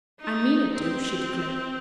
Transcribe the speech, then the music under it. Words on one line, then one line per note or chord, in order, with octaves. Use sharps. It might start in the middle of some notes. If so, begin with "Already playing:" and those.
"I mean it to," she declared.
D#4
C4